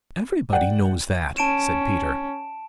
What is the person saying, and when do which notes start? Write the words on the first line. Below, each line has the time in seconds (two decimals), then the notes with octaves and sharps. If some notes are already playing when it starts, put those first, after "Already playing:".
"Everybody knows that!" said Peter.
0.53 D5 F#5 G5
1.37 C#4 A5 D7 E7